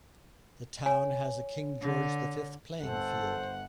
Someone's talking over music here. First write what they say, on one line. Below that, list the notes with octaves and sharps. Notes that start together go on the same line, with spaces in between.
The town has a King George the Fifth Playing Field.
C#5 G#5
D3
G1 A4 C5 F#5